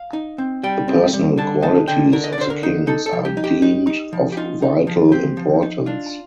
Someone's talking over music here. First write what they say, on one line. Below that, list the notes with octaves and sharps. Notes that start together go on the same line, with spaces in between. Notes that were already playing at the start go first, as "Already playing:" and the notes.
The personal qualities of the kings are deemed of vital importance.
Already playing: F5
D#4
C4
G3 G5
C4
G3
D3 A5
D#4 A5
D3 G5
D3 A#4
D#5
D5
D3 C5
A#4
D#4
D#4 A4
A4
F3
G4
D#4
G4
D#4
D#4
F3
G4
D#4 F4
D#4
F3
C4 G4
F3
D#4
D4 F4